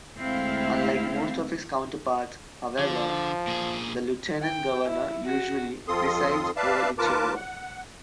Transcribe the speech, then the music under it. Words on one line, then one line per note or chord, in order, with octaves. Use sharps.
Unlike most of his counterparts, however, the lieutenant governor usually presides over the chamber.
D2 G#3 C4 E4 F5
D3 F3
A#2 G#4
G5
E4
F#4
F2 C4 F4 A4 C6 D#6
B4 D5 E5 F5 A5
D#2 F4 A#4 B4 A5 D6
F#5